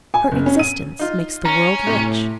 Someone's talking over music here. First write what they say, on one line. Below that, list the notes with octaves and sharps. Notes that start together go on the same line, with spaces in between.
Her existence makes the world rich.
G#5
F#1
C#4
D#7
D#4 F4
C#4 A#5
A2 C3